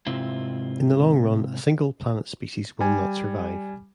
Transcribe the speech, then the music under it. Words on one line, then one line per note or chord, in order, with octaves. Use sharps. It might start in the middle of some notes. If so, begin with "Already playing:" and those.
In the long run a single-planet species will not survive...
G#2 C3 C4 E4 F4
G3 G#5